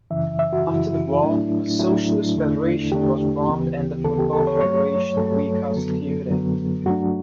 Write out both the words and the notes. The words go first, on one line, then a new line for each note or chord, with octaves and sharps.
After the war, a socialist federation was formed and the football federation reconstituted.
F#2 C#3 E3 E5
E5
F#4
F#2 C#3 E3 E4
A2 F#3 A3 D4 E4
A2 F#3 A3 D4 E4
E2 D3 A3 D4
E2 D3 A3 D4 G4
D2 C#3 E3 B3
D2 C#3 E3 B3 A4
G4
A4
C#5
G2 F#3 A3 C#5
G2 F#3 A3 A4
F#2 D3 F#3 B3
F#2 D3 F#3 B3
G2 F#3 A3 D4 F#4